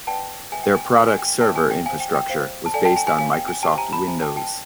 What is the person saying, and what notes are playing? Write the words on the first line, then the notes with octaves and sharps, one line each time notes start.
Their product's server infrastructure was based on Microsoft Windows.
B4 D5 F#5 G5 A5
G#4 B4 E5 G5 G#5
G5
G#5
G5
A4 D5 G5 G#5
G#5
G5
C5 E5 G5 A5
G#5
G5
C5 F5 G#5
G5
G5
C5 F5
A5
A4 D5 F#5 G#5
G5 A5
G#5
G#5
A#4 C#5 F5 G#5
G5
G#5
G4 C5 E5 G5 A5
G#5 A#5
A5 B5
C5 E5 G5 G#5 A#5
G5 A5
G5 A5